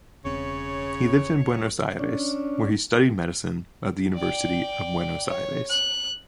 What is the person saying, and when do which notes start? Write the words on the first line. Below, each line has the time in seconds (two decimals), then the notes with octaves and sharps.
He lived in Buenos Aires, where he studied medicine at the University of Buenos Aires.
0.25 E1 C#3 C4 C#5 C#6
1.99 C#4 D4
4.15 D5 G5
5.29 C#5
5.70 F#6